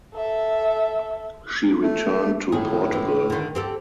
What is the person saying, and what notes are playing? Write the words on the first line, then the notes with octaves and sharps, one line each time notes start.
She returned to Portugal.
A4 E5
A3
A2 D#3 G#4
E3
D3 D#3
C4 G4 A4